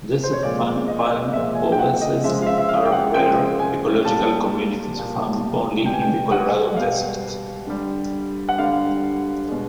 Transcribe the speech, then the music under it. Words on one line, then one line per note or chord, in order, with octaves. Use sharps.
Desert fan palm oases are rare ecological communities found only in the Colorado Desert.
C5
C#5
A#2 F3 G#3 D5
D#5
A#2 F3 G#3 E5
G#5
G5
F#5
D#5
C#3 F3 G#3 E5
F5
E5
E5
F5
G5
F#5
C#3 F3 G#3 G5
G#5
A#2 G3 A5
A#2 G3
B2 G3 G5
G#5
G5
F#5
B2 G3 F5
D3 G3
F#5
D3 G3 F5
B2 G#3